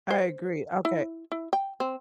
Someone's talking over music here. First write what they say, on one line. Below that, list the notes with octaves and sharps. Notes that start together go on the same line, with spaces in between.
I agree, okay.
C5
E4
E4
G5
C4